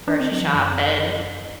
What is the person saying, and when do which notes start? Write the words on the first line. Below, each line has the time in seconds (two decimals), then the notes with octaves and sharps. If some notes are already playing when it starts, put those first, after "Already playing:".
grocery shop and
0.08 D4
0.20 C4
0.32 F#3
0.43 E3
0.55 F#2